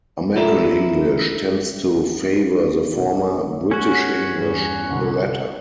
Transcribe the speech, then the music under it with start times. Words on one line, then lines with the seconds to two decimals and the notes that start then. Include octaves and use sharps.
American English tends to favour the former, British English the latter.
0.36 E4 F4 A4 A#4 D5 E5
2.92 B1 B2
3.71 C#4 F#4
4.38 E2 G2
4.90 C2 D3 F#5